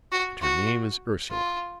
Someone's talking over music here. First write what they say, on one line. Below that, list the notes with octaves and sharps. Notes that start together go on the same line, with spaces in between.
And her name is Ursula.
F#4
F#4
F4